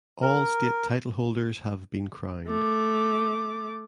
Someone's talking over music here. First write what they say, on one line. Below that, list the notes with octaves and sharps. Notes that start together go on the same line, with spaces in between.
All state titleholders have been crowned.
A#4
A3 D6